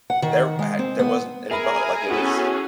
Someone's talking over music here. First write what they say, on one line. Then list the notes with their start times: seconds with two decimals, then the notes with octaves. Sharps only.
There had there wasn't any bug, like, it was
0.10 F#5
0.22 D#3
0.59 G#3
0.79 C4
0.99 B3
1.51 G#4 A#4 E5 G#5 B5
2.10 B3 C#4 E4 F#4 A4 G#5